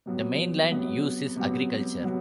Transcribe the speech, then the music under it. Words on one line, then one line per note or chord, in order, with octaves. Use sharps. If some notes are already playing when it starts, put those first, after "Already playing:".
The main land use is agriculture.
C3 F#3 B3
C3 F#3 B3
C3 F#3 B3
C3 F#3 B3